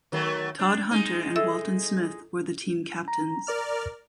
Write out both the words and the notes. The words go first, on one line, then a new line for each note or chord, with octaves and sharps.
Todd Hunter and Walton Smith were the team captains.
D#3 F#3 A3
D4
G#3 D#4
A4 E5 E6
A#5
A#4 D5 F6